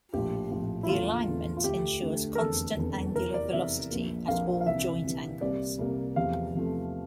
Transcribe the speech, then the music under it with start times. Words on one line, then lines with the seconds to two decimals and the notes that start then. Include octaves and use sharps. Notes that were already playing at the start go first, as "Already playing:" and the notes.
The alignment ensures constant angular velocity at all joint angles.
0.13 A#1 A2 F3 G4
0.51 A#1 A2 F3
0.83 E4
0.89 E2 D3 A3 F4
1.27 E2 D3 A3
1.57 F4
1.64 D2 D3 A3 G4
2.02 D2 D3 A3
2.35 A#4
2.39 F1 E2 D3 A4
2.77 F1 E2 D3
3.16 E2 C3 E3 A#4
3.34 D5
3.53 E2 C3 E3 E5
3.90 A#1 A#2 F3 A#3
4.28 A#1 A#2 F3 A#3 F5
4.61 F5
4.66 C2 C3 E3 E5
5.04 C2 C3 E3
5.41 C2 C3 G3 A#3 D5
5.79 C2 C3 G3 A#3
6.16 E2 C3 F3 A3 F5
6.54 E2 C3 F3 A3